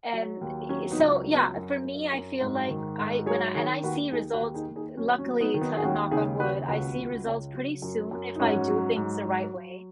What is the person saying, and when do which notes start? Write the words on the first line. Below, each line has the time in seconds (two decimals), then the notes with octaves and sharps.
and i so, yeah for me, I feel like I when I and I see results luckily to knock on wood, I see results pretty soon if I do things the right way.
0.13 F#3
0.41 D#2
0.69 F#3 C#4
0.91 B3 D#4
0.99 C#2
1.26 F#3
1.34 B3
1.56 F#2
1.84 F#3
2.13 F#2
2.41 G#2
2.69 D#3
2.98 G#2
3.26 F#3 G#4 C#5
3.54 D#3 G#4 C#5
3.84 D#2 F#4 B4
4.11 D#2 D#4 G#4
4.33 F#4 B4
4.40 D#2
4.54 D#4 G#4
4.69 D#2
4.76 D#4 G#4
4.97 F#3 C#4
5.18 C#4
5.26 F#3
5.41 B3 D#4
5.54 D#3
5.61 B3 D#4
5.77 G#4
5.83 D#2 C#4 F#4
6.11 C#3 D#4 G#4
6.40 D#2 F#4 B4
6.68 C#2 F#4 B4
6.97 C#2
7.26 C#3
7.54 F#3
7.82 F#2
8.11 F#2
8.35 D#4
8.39 G#2 C#4 F#4
8.68 F#3
8.96 G#2
9.25 F#3
9.54 F#3